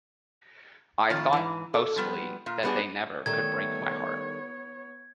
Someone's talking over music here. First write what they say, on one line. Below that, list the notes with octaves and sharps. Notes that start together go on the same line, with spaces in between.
I thought, boastfully, that they never could break my heart.
F2 A2 D#3 F4 A5
G#2 E3
A4
F3 G3 B3
A#2 F4
G3 A3 B3 D4 F#4 G#4
D#3 G3 A3 B3 C#5 G#6